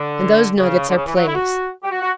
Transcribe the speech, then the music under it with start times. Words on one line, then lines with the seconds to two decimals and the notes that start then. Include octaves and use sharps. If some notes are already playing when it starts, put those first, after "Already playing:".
And those nuggets are plays.
Already playing: D3
0.58 C#3
0.89 D3
0.96 C#3
1.06 E3
1.15 F#3
1.27 E4
1.35 F#4
1.84 G4
1.91 F#4
2.02 F#4